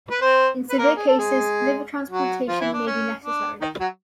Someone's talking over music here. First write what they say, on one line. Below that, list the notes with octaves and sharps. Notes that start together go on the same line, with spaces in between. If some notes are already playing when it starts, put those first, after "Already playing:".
In severe cases, liver transplantation may be necessary.
B4
C4 C5
B4
A#3 A#4
G#4
A4
G#3 G#4
F#3 F#4
F3 F4
E3 E4
D4
C#4
D4
D#3 D#4
F#3 F#4